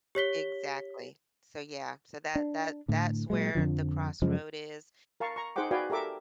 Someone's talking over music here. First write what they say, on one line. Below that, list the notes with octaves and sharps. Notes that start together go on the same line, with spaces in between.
Exactly. So yeah, so that that that's where the crossroad is,
G4 C#5 B6 G7
D4
A2 D3
A#2 F#3 G#3
F2 D3 F3
F#2 C#3 F3 G#3
A#4 F5 A5 C#6
A#5 C#6
D#4 G#4 C5 F#5 G5 D6
F#4 B4 D5 F5 G5 G#5
G4 A4 A#4 E5 D6